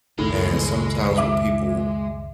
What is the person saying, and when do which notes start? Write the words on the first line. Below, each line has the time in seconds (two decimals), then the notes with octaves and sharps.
And sometimes with people,
0.18 F#1 C#2 A2 D#3 G#3
1.17 E5 D6